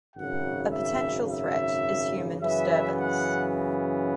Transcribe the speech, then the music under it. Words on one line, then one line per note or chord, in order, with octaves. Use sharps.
A potential threat is human disturbance.
G#1 F#2 C#3 F#5
E5
E5
F#2 C#3 E3 B3 E5
F#5